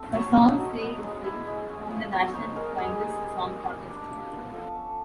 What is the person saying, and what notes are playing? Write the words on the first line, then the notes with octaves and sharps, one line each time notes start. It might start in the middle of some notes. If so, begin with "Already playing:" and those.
Her song, "Se in Se" won the National Finals Song Contest.
Already playing: A3 C4 E4
F#3 C#5 C#6
D#4
F#3
B3
G#3
E4
G#3
C#4
F3
B3 C#5 C#6
D#4 C5 C6
G#3 A#4 A#5
G3 G#4 G#5
D#4
G3
C4
G3
D4
F4
B3
F3 A4 A5
C#4